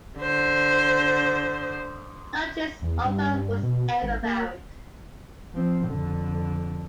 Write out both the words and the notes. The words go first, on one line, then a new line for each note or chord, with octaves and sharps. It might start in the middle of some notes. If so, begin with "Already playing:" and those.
No trace of her was ever found.
D3 C5
E2
G2
B2
G#1
A#3
F3 C4
F2 D3